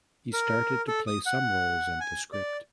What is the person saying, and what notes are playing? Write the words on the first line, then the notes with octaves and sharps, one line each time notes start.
He started to play some roles in the script.
A#4
A4
D#6
F#5
G#5
D5